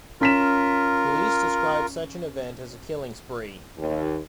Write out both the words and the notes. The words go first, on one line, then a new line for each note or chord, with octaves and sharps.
Police describe such an event as a killing spree.
C#4 F4 A#4 B6 E7
D#2